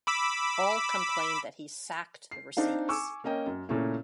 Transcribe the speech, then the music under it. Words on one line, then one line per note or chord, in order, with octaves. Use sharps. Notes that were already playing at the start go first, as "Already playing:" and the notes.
All complained that he sacked the receipts.
B5 D6 E6
C7
C4 D4 D#4 F5
G#5 C#6 D6 E6
A#3 C#4 D#5 G5
F#2
A#2 C#3 A3 C#4 E4